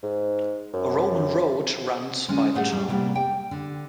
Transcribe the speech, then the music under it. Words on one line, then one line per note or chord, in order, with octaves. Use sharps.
A Roman road runs by the town.
G#2
F#2
D3 G#3 C#4
A2 G3 A3 G#4 C5 F#5
A2 G3
A2 C3 F#3 G3 A#3 B3
G4 G5
D3